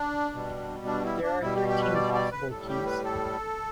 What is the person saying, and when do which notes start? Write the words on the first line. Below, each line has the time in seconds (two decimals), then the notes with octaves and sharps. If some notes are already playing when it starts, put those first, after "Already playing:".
There are thirteen possible keys.
Already playing: D4
0.33 B2 G3
0.86 D4
1.05 E4
1.23 D4
1.42 B2 G3 E4
1.55 G4
1.68 G4
1.81 B4
1.95 D5
2.14 D5
2.32 B4
2.50 A2 G3 A4
2.69 G4
2.86 B4
3.05 A4